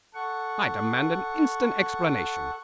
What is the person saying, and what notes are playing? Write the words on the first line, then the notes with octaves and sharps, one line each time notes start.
I demand an instant explanation.'
A4 F#5 C#6